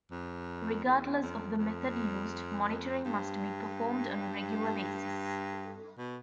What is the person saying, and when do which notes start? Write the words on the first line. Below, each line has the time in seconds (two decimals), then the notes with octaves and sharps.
Regardless of the method used, monitoring must be performed on a regular basis.
0.11 F2
0.84 E2
1.22 F2
1.58 F2
3.05 G2
5.98 B2